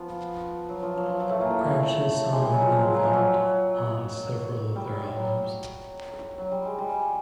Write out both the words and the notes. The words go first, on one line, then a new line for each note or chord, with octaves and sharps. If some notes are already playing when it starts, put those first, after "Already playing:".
Crouch has sung and been involved on several of their albums.
Already playing: F3 B3
F#3
F3
F#3
F3
F#3
A2 A3
A#2 A#3
A2 A3
G#3
G3
F#3
F3
F#3
G#3
F#3
F3
F#3
G3
F#3
F#3
G3
G#3
G3